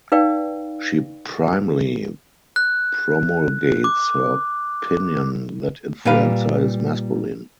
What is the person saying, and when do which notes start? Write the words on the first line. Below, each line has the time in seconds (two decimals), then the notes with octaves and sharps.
She primly promulgates her opinion that influenza is masculine.
0.12 D#4 B4 D5 F5 G5
2.56 F#6
3.84 D6
6.05 A#2 G3 B4 F5